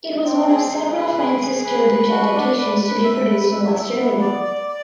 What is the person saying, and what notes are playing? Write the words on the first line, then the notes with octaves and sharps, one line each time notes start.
It was one of several Francis Durbridge adaptations to be produced in West Germany.
C4
G#4
G#4
B4
G#4
G#4
B4
B4
F#4
D4
B4
B4
E5
B4
E5
E5
B3
D5
D5
D5